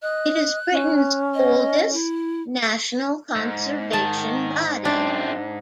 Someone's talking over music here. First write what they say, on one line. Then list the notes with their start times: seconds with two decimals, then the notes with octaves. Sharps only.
It is Britain's oldest national conservation body.
0.03 D#5 F#6
0.72 C#4
1.34 D#5
1.93 E4
3.35 G#2
3.93 D#3 A5
4.85 F#2 C4 D4